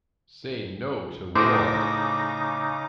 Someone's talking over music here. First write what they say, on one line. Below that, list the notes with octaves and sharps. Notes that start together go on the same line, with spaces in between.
Say No To War!
A2 C#3 D#4 C5 D6 D#6 A#6